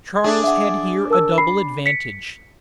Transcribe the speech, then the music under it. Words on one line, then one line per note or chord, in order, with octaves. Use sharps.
Charles had here a double advantage.
D4 G#4
E5 F#5
A#4 A5 E6
B5 C7
B6 C#7